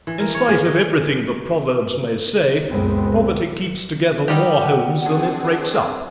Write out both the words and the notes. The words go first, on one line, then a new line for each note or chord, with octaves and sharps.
In spite of everything that proverbs may say, poverty keeps together more homes than it breaks up.
E3
A#4
C#5
G#4
D#5
C#2 F#2 A#2 G#3 B3 C4
G3 D#4 G4 F#5
C4 D4 G#4